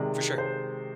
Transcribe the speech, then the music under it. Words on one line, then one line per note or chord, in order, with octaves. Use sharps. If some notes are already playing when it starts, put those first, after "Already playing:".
For sure.
Already playing: C3 D#3 G#3 D5
C5